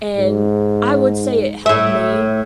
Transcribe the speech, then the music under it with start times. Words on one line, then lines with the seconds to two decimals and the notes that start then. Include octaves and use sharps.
and I would say it helped me
0.17 G#2
1.66 A2 E5